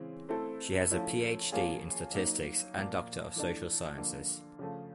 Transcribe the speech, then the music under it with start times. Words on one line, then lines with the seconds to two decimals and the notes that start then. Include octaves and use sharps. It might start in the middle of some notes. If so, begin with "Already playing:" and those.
She has a Ph.D in Statistics and Doctor of Social Sciences.
Already playing: C#3 E3 G#3 C4
0.29 A3 C4 E4 A4
0.91 F3 A3 C#4 E4
1.52 F3 A#3 C#4 F4 G#4
2.14 F#3 A#3 D#4
2.75 A#2 F3 A#3
3.36 E3 A3 D4
3.97 D3 F3 A#3
4.59 C#3 F3 A3